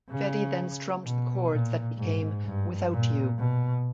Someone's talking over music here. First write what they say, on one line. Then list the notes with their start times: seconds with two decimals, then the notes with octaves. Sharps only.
Fedi then strummed the chords that became "Without You".
0.10 C#3
1.04 B2
1.51 A#2
1.97 G#2
2.45 G2
2.92 A#2
3.39 B2